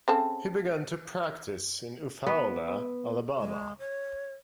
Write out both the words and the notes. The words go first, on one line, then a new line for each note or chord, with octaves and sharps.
He began to practise in Eufaula, Alabama.
C#3 C4 A4
B3
G#3
C#5